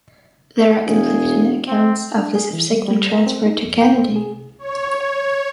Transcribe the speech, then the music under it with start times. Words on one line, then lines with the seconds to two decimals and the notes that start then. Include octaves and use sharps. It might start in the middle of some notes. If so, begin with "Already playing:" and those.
There are conflicting accounts of the subsequent transfer to Kennedy.
0.86 E1 G#4
1.67 C4
2.18 D4
2.35 G#4
2.53 E3
2.70 G3
2.88 G3
3.12 A#4
3.27 C4
3.46 D#4
3.65 F2
3.81 G5
3.98 C4
4.16 G#4
4.59 C#5